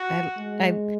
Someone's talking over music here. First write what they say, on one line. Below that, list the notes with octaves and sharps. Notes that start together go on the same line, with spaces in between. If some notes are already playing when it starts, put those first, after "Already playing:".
I l I I
Already playing: F#4
G#3